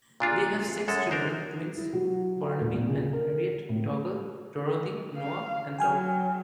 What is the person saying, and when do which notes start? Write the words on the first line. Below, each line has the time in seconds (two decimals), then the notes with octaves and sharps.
They have six children, twins Barnaby and Harriet, Dougal, Dorothy, Noah and Toby.
0.20 A#2 D4 F4 G#4
0.88 F#2 G#3 A4
1.11 D4 A#4 C5
1.77 E4
1.93 F#3
2.41 A4
2.60 D#1
2.74 A#1
2.88 C#3
3.13 A#4
3.69 A2
5.17 F5
5.78 F#3 G5 G#5 F6